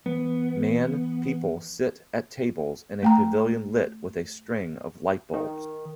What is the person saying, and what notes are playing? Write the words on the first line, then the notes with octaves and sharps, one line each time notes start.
Man people sit at tables in a pavilion lit with a string of lightbulbs.
E3 B3
A3 G5 A#5
D#3